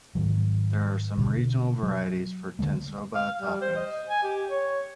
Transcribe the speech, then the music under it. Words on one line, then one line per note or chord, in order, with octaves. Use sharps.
There are some regional varieties for tensoba toppings.
G#2 D#3 F#3
B2 D3
F#3
D3 E3 G#3 A#3
F5
G3
C5
D#5
G#5
G4
C#5